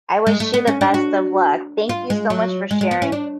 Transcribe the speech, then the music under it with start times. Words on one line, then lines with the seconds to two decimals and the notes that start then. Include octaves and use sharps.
I wish you the best of luck. Thank you so much for sharing,
0.27 G#3
0.40 A3
0.54 B3
0.67 C#4
0.81 D4
0.94 F#4
1.89 F4
2.10 G#3
2.30 F#3
2.71 G#3
2.81 G#3
2.91 B3
3.02 C#4
3.12 D4